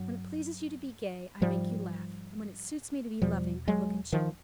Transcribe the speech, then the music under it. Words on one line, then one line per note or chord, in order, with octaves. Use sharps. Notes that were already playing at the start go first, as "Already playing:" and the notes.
When it pleases you to be gay, I make you laugh; when it suits me to be loving, I look at you.
Already playing: G2 F#3
G#2 F3 G3
E2 B2 F3 G3
F#3 G#3
D#3 F3